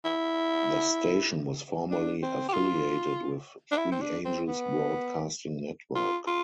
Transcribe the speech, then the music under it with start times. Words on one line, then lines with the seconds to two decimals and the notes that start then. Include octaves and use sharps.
The station was formerly affiliated with Three Angels Broadcasting Network.
0.05 E4
1.91 D4
2.23 C4
2.49 G4
2.53 F4
3.72 D4
3.78 E4
3.92 C4
4.02 D4
4.25 C4
4.48 B3
5.95 F4
6.27 F4